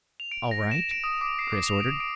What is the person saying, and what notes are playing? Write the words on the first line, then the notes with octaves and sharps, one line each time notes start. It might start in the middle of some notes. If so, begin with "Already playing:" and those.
"All right," Chris ordered.
F7
D7
A#6
E7
D7
D#6
D6
C7
D6
F7
D7
D7